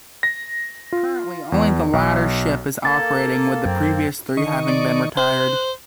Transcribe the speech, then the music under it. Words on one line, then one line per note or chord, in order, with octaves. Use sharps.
Currently only the latter ship is operating, with the previous three having been retired.
A#6
F4
E2
B1
A#3 A4 A6
F#2 C4
D#3 D#5 C#6
D5
C5 F#6